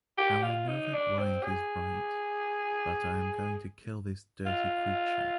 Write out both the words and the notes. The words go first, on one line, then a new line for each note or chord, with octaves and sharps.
How I know that why it is right. But I am going to kill this dirty creature.
G4
F4
D#4
D4
C4
G#4
F4